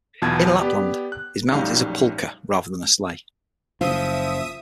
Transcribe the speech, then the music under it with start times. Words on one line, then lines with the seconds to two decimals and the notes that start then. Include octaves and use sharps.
In Lapland, his mount is a "pulkka" rather than a sleigh.
0.22 B1 E2 B2 F4 A5 G#6
0.60 B3 G4 D5
1.12 F#6
1.51 A#1 F#2 A2 G3 D#4 F5
3.81 F#1 F3 F4 E5 D#6 D#7